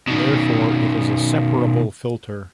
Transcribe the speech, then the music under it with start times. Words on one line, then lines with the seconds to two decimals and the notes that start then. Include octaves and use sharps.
Therefore, it is a separable filter.
0.08 B2 D#3